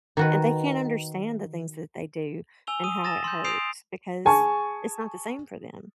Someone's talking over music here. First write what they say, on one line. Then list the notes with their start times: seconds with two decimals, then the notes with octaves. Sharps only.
And they can't understand the things that they do and how it hurts because it's not the same for them.
0.17 D#3 F#4 B4
2.67 G#5 E6 F7 G7
2.84 D#6 D#7
3.04 D#6 A6 A#6 E7
3.24 C6 G6
3.44 D#6 G6 C7 D7 F7
4.25 G#4 G#5 A5 C#6